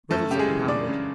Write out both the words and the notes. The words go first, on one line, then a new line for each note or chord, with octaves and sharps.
Riddles are propounded.
F#2 A3 A4
C#3 G4
G#3 G#4
E3
C#3 D4 D5
C#3